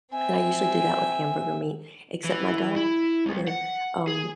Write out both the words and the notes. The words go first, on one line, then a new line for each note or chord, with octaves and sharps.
and I usually do that with hamburger meat, except my daughter, um,
C4 E5 G#5
E3
E4
C2
F#5
G#4